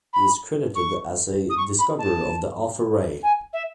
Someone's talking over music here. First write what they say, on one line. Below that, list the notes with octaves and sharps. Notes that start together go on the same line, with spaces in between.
He is credited as a discoverer of the alpha ray.
B5
C#6
D#6
C#6
B5
A5
G#5
E5